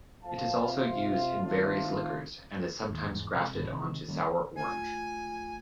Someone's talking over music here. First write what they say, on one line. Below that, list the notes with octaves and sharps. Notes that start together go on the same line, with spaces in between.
It is also used in various liquors and is sometimes grafted onto sour orange.
F2 F5 A5
C3 F4
D#3 A3 C4 D4 F4
D#2
E2 G#2
C3 G#3
A#1 G2 B2 D3
C3 D#3 G#3
D#3 G3 A#3 C#4
A3 F4 G#5